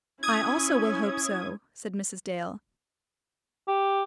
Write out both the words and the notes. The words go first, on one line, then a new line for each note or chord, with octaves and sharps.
"I also will hope so," said Mrs. Dale.
C#4 E4 D#6 G#6
G4